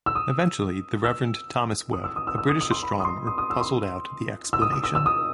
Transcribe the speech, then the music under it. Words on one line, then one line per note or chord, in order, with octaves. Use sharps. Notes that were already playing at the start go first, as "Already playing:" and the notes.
Eventually the Reverend Thomas Webb, a British astronomer, puzzled out the explanation.
E6
D#6
E6
D#6
E6
D#6
E6
E6
D#6
D#6
C6
B5
D#6
C6
D#6
D#6
E6
C6
E6
D#6
D#6
E6
E6
D#6